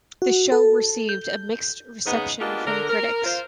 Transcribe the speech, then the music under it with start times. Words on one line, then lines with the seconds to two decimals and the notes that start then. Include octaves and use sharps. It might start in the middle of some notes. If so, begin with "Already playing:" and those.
The show received a mixed reception from critics.
0.22 F#4
0.52 A4
1.09 G6
2.06 C#3 G#3 B3 D#4 B4
2.40 G#3 A#3 B3 D4 F4 G4
2.65 D3 A#4
2.90 A#4
3.24 F4 A#4 C5